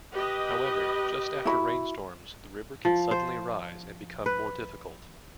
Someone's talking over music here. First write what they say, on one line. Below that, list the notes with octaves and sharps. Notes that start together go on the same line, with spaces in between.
However, just after rainstorms, the river can suddenly rise and become more difficult.
G4 B4 D#5
E4 F#4 B5
F3
C5
B4